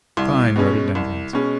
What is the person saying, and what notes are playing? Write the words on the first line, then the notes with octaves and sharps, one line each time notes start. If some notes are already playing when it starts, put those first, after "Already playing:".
Fine rhododendrons.
C2
B2 G#3 C#4
C2
B2 G#3 C#4